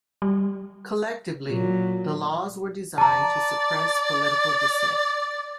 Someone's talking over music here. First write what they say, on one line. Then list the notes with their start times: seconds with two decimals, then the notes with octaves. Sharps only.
Collectively, the laws were designed to suppress political dissent.
0.22 G3
1.48 A#2 F#3
2.98 D5 A5 A#5